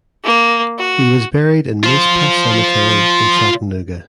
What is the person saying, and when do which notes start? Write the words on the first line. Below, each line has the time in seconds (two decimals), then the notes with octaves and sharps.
He was buried in Mizpah Cemetery in Chattanooga.
0.25 A#3
0.79 F#4
1.84 F4 C5